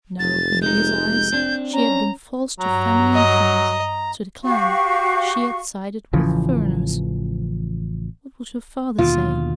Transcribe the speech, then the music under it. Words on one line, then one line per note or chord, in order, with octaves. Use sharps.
No, in his eyes she had been false to family and friends--to the clan--she had sided with "furriners." What would her father say?
F1 A6
G#3 D#4 G6
C4 D4
C#4 A#5
G2 F#3 A#5
D#5
F#4 G4 F5 C#6
A1 C#3 E3 F3
D#2 B2 D3 F4